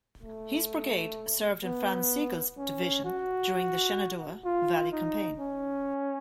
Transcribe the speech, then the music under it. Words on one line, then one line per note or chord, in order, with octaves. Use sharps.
His brigade served in Franz Sigel's division during the Shenandoah Valley Campaign.
A3
B3
C#4
F#4
F4
D#4
C#4